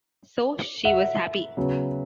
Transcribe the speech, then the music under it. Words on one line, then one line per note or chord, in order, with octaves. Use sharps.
So she was happy.
E5 F#5
C#3 F#3 B3